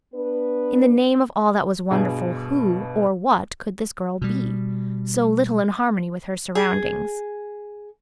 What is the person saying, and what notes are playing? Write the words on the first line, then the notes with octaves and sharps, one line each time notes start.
In the name of all that was wonderful, who or what could this girl be, so little in harmony with her surroundings?
B3 D4 B4
G2 B2 G#4
B2 G3
G#4